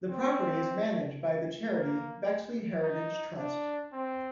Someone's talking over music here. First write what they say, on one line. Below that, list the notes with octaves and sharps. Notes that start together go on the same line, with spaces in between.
The property is managed by the charity Bexley Heritage Trust.
C4
A#3
D#4
D4
C4